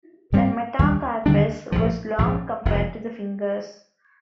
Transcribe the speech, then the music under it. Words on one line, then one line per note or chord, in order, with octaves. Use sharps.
The metacarpus was long compared to the fingers.
G#2 G3 C4
D#2 D3 G3 D4
D#2 D3 G3 D4
A#1 G#2 F3
A#1 G#2 F3
F1 F2 C3